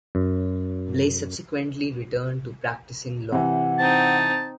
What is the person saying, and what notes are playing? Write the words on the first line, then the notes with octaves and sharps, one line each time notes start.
Blais subsequently returned to practicing law.
F#2
C3 E3 F#5
C4 D#4 A5